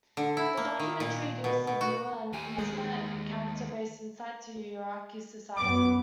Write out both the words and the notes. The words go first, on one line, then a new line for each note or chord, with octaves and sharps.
The documentary gives the viewer an intimate, character-based insight into Iraqi society.
D3
E4
A#3
D#3
A#2
B2
B2
F#4
D#2 G4 G#5
G#3 G#4
F#2 B3 D6